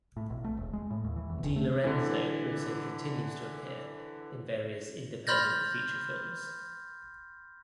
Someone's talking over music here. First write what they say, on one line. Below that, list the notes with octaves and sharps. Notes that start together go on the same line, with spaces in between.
DeLorenzo also continues to appear in various independent feature films.
A2
B1
A3
E1
G#3
A2
D#2
E3
E2
F#1
A3
D3 E3
B5 C6 F6 G6 A6 A#6